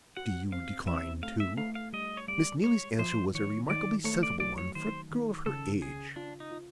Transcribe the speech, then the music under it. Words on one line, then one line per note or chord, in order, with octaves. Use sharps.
Do you decline too?' Miss Neelie's answer was a remarkably sensible one for a girl of her age.
F#4 F#5
C4 F5
C4 E5
A3 F5
E5
A3 F5
F5
G3 D#5
C#5
G3 D5
G#3 C#5
F3 C5
D#3 C#5
D#3 D5
A3 C#5
D5
F#3 D5
C#5
D#3 C5
D#3
C#3 A4
C#3 G#4
D4 F4
D#4
F4